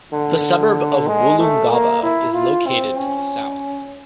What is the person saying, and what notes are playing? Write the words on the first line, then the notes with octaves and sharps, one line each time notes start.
The suburb of Woolloongabba is located to the south.
D3
G#3
A3
A#3
E4
F4
C4
C#4